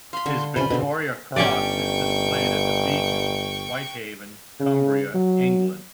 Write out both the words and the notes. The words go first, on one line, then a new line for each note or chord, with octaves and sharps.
His Victoria Cross is displayed at The Beacon, Whitehaven, Cumbria, England.
F5 B5 C6
D3 C#6
C3 C#4 F4 B4 C5 B5
B2 D3 G#3 C4
G1 C#4 G4 D5 G5 C#6
C#3
F#3